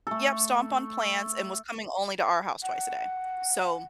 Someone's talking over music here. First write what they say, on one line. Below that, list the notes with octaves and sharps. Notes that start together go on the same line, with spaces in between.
Yep, stomp on plants and was coming only to our house twice a day. So,
A3 A4
F#5